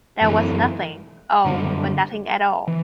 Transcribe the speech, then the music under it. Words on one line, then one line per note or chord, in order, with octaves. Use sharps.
That was nothing — oh, but nothing at all.
F#2 E3 A3
F#2 D3 G3
E3